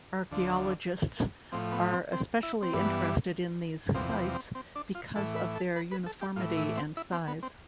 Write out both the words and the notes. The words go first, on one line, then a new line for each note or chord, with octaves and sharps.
Archeologists are especially interested in these sites because of their uniformity and size.
D2 D3 F3
A2 F3 C4
B3
C4
C4
E4
C4
G2 E3 B3
E2 C3 F3 C4
C4
B3
C4
C4
D4
F4
A2 E3 A4
B4
A4
B4
B4
A4
G4
A2 E3 F4
E4
C4
E4
C4
B3
C4